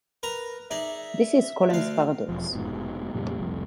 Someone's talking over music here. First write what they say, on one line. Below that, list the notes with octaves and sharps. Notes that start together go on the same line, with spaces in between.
This is Skolem's paradox.
A#4 B4 A#5
D#4 G#4 D5 E5
D2 F5
E1 F3
F1 G#2 B2
F2 A#2 C#3 G3
F1 C2 F2